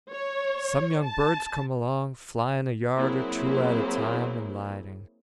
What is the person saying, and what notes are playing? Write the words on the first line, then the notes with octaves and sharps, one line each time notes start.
Some young birds come along, flying a yard or two at a time and lighting.
C#5
A5
F#3 A#3 C4 E4 G#4 C5